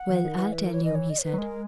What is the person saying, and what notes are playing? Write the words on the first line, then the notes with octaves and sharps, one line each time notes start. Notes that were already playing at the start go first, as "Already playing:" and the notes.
"Well, I'll tell you," he said.
Already playing: F#5
E3
D#3
E3
B4
A#4
C#5
D#5
C#5
D#5
C#5
B4
F#3
G#3 A#4